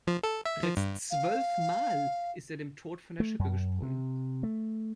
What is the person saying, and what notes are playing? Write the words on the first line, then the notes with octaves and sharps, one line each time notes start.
Bereits zwölf Mal ist er dem Tod von der Schippe gesprungen.
F3
A4
E5
F3
G2
F5
A3
F#2
C3
A3